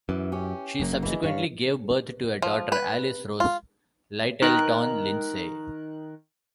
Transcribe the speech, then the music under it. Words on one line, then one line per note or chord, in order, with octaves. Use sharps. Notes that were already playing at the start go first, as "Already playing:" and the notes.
She subsequently gave birth to a daughter, Alice Rose Lyttelton Lindsay.
F#2 E3
C#4 G4
F#1 F#2 A#3
E3 G#3
G2 C#5 F5
F3
B4
F4
D#3 A#4 F#6